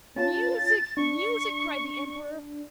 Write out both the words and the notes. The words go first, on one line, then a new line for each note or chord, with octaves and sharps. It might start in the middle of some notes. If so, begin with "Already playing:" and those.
"Music! music!" cried the Emperor.
C#4 F4 A5 A6
D4 C#6